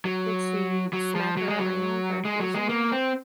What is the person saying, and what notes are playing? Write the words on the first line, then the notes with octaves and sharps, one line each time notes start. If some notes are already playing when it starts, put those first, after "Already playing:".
Did she smack her around for accusing her?
F#3
F#3
F3
F#3
G#3
F#3
G#3
F#3
G#3
A#3
C4